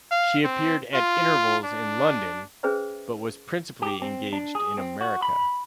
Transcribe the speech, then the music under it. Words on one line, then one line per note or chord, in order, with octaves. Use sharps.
She appeared at intervals in London, but was principally engaged in America.
F5
C4
F4
D4
C#4 G#4 B4 C5 E5
G4
C4
D4
G#4
C4
F#4
B5